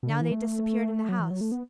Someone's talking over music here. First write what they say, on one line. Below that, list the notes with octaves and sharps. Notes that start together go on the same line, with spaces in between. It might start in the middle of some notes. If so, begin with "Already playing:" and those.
Now they disappeared in the house.
B2
D3
E3
A3
F#3
E3
F#3
A3
B3